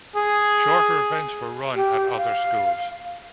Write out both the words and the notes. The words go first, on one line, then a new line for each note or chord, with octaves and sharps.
Shorter events were run at other schools.
G#4
G4
F5